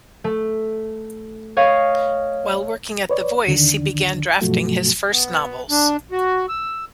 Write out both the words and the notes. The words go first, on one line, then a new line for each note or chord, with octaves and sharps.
While working at the "Voice", he began drafting his first novels.
A3
C#5 D#5 F5
B4 C#5 D5
D#2 D3 D#3 D4
G2 B2 F3 F#3 A3 F#4
B3
D4
F#4
E6